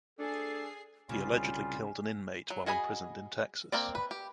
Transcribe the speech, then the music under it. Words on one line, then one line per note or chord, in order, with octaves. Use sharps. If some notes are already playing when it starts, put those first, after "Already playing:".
He allegedly killed an inmate while imprisoned in Texas.
D4 G#4 A4 C7
C2 C#3 G3 F4 G#5
F#3
F#4 G#4 D#5 G#5 B5
A#3 C4 D5
B4
G4